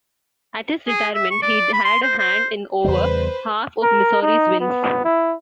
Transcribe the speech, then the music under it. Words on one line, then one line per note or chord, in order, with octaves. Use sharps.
At his retirement, he'd had a hand in over half of Missouri's wins.
G#4
E5
C#6
D5
B5
C6
C5
C5
E2 C#3 G3 B4 C5
A#4
D#4
B3
E4